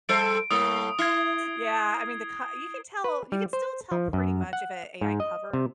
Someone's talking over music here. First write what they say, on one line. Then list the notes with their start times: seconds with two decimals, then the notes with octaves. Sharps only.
yeah, I mean, the co you can tell you could still tell pretty much if a AI cover
0.09 G3 A4 C5 D7
0.51 A2 G3 A#3 D#6
0.99 E4 G#6 C7 G7
3.04 B4
3.32 G3
3.53 C5
3.92 F3
4.13 F#2
4.53 F#5
5.01 G#2
5.20 D#5
5.53 C3